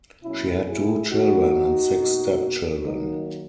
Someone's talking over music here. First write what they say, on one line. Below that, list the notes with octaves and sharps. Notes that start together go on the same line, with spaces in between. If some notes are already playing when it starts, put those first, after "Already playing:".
She had two children and six step children.
B2 F#3 A#3 C#4 E4
E4 G#4
D#3 A#3 D#4 F#4
B2 A#3
D#3 F#3 A#3 D#4